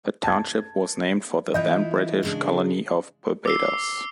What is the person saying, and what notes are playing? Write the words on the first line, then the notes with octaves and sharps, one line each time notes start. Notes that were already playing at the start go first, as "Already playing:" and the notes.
The township was named for the then-British colony of Barbados.
A5 G#6
E3 E4 F4 D#5 G6
C#3 G#3 D4
D6 E6 C7